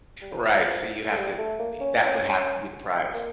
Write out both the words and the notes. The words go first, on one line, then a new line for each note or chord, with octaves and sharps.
Right, so you have to e that would have to be the price.
G3
F3
A3
G3
A3
A#3
C#4
C#4
A#3